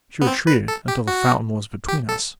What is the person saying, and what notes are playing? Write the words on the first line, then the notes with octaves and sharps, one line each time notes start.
She retreated until the fountain was between us.
B3
C4
B4
A4
G4
F#4
G4
A4